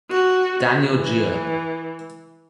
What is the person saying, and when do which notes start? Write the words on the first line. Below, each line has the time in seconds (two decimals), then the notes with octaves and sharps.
Daniel Jiya.
0.11 F#4
0.90 E3